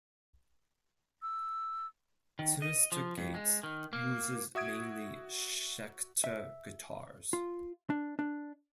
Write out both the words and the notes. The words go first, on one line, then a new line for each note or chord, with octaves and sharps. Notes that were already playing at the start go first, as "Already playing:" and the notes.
Synyster Gates uses mainly Schecter Guitars.
E6
D#3
D#5
F3
F2
G#3
D#3
A#3
F#4 E5 D#6 G#6 D7
E5
F4
D4
D4